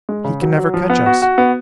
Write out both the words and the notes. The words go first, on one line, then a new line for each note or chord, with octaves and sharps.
He can never catch us.
G#3
C#3
F#3
F#3
F3
B3
F#4
F#4
B3